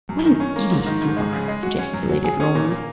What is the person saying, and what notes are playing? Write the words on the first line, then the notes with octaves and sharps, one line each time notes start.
"What an idiot you are!" ejaculated Roland.
F#2
D#3
C#4
A#3
G#2
D#3
G#2
G#3
C#3
G#3
F#4
C#4
F#2
F#3
G#4
C#4
A#2
A#3